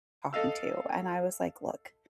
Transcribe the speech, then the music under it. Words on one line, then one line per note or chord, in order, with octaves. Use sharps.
talking to, and I was like, "Look,
A4 D#5 F5 E6